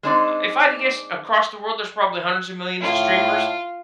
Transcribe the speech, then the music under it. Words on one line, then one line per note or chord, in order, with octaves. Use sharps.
if I had to guess across the world, there's probably hundreds of millions of streamers.
G#3 C4 D4 D#4 C5 D5
A2 F4